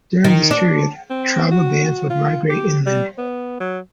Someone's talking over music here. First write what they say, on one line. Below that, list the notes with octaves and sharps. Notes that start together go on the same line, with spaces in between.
During this period, tribal bands would migrate inland.
D#3
D4
C4
F#4
F4
G4
G3
B3
F#3